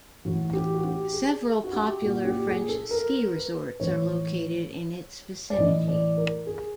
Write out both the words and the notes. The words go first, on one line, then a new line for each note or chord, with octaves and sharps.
Several popular French ski resorts are located in its vicinity.
A2 E3 F#4
G4
F#4
G4
G#4
F#4
G4
A#2 F#4
G4
G#4
A4
A#4
B4
A2 E3 C#5
D5
A2 E3 D#5
D5
A#4
G#4